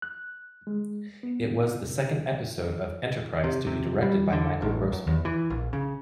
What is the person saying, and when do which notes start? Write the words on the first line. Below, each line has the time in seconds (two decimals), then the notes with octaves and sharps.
It was the second episode of "Enterprise" to be directed by Michael Grossman.
0.02 F#6
0.67 G#3
1.23 B3
1.75 C3
3.44 C3
3.67 C3
4.02 G3
4.33 D3
4.62 A1
4.92 F#2
5.07 E2
5.25 E3
5.50 A#1
5.73 C#3